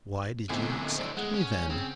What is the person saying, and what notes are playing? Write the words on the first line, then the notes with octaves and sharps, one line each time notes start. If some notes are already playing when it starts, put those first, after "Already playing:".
"Why did you accept me then?"
B1 E2 A2 D3 C4
C4 D4
G#3 F#5
C#4
C#3 C4